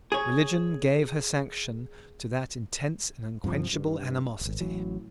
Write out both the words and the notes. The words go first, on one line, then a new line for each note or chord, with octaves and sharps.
Religion gave her sanction to that intense and unquenchable animosity.
G#4 C#5
G2 C3 E3 F3
G2
D1 G#1
A1 E3 F#3